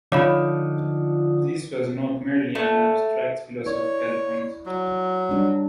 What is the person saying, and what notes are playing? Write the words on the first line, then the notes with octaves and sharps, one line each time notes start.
This was not merely an abstract philosophical point.
D3 F3 D#4 F4 C#5 F5 B5 D6
A3
E4 C#5 D5
F#3
G3 D4 C#5